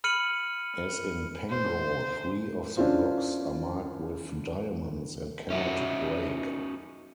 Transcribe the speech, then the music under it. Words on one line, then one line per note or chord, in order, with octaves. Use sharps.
As in "Pengo", three of the blocks are marked with diamonds and cannot break.
B5 F6 C#7 D#7 F#7
C5
C#4 D4 E4 F4 C5
C#4 D#4 E4 F#4